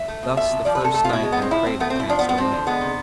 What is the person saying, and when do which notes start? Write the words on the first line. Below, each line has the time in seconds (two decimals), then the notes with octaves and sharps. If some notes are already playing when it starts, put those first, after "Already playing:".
Thus the first night in the crater passed away.
Already playing: E5
0.08 A3
0.23 B2
0.37 F3 E5
0.51 C3
0.65 F3 D5
0.75 B4
0.80 C3 A4
0.94 A3 A4
1.04 F4
1.09 B2 E4
1.23 G#3
1.32 B3
1.37 A2 C4
1.51 F3 E4
1.66 A2 C4
1.80 A3 B3
1.90 C4
1.95 B2 E4
2.09 F3 D4
2.19 B3
2.24 A2
2.29 B3
2.38 F3 C4
2.52 D3
2.67 G#3 B3
2.81 C3